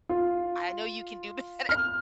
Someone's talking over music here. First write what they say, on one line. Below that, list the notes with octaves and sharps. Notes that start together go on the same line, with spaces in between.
I know you can do better."
F4
F6